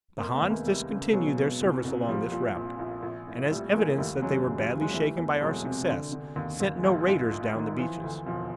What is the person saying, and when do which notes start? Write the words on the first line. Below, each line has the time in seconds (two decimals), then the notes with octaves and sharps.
The Hans discontinued their service along this route, and as evidence that they were badly shaken by our success, sent no raiders down the Beaches.
0.18 F1 A#3 C4
0.33 A3 B3
0.41 D#2
0.50 G#3 A#3
0.66 F1 G3 A3
0.89 C#3
1.13 B2 F#3 G#3
1.37 B2
1.61 C2
1.84 C2
2.08 A#2 F3 G3
2.32 A#2
2.55 A#1
2.79 A#1
3.03 A#1
3.27 A2
3.51 A#1 G3 A3
3.74 E3 G#3 A#3
3.98 D#2 G3 A3
4.22 C#3 F#3 G#3
4.46 D#2 F#3 G#3
4.58 F3 G3
4.70 E3
4.81 F#3 G#3
4.93 E3 G3 A3
5.17 E2
5.41 E1 F#3 G#3
5.65 C3
5.89 D3
6.12 D3
6.36 D#2
6.60 D#2
6.78 G#3
6.83 A#1 F3 G3
7.07 G#2
7.31 A#1
7.55 D#3
7.78 E3 F3
8.02 D2
8.26 E1 F3